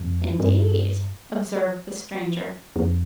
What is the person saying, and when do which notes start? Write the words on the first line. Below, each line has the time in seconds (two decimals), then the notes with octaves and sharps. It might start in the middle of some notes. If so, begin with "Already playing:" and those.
"Indeed?" observed the Stranger.
Already playing: F2
0.40 G2
2.76 F2